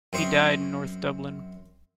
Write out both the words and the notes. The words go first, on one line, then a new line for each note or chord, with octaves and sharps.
He died in north Dublin.
F#2 C4 C5 C#6 D#6